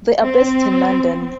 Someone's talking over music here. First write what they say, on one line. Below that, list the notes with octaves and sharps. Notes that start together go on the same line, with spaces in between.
They are based in London.
C4